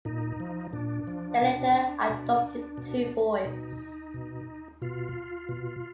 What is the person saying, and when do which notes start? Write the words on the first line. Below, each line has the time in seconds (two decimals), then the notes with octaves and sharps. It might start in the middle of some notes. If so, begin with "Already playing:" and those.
They later adopted two boys.
0.05 A#2 D#4
0.40 F3
0.73 A#2 D4
1.07 F3
1.42 B2
2.10 B2
2.78 B2
3.45 B2 D#4
4.14 B2
4.82 B2 F4
5.49 B2